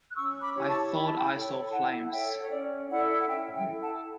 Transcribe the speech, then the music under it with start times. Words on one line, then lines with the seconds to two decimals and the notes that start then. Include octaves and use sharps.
I thought I saw flames.
0.10 F#6
0.16 C#4 C#6 E6
0.42 B5 D6
0.55 E4 G4 C#5
0.68 A5 C#6
0.95 E4 B5
1.06 A5
1.16 G5 B5
1.34 A4 C#5
1.67 B5
1.72 E4 F#5 A5
2.04 F#5
2.12 A4 C#5 E5 G5
2.42 C#5
2.51 C#4 D5
2.90 E4 A4 D5 F#5
3.20 F#5
3.28 C#4 E5 G5
3.55 E5 G5
3.69 E4 A4
3.81 F#5 A5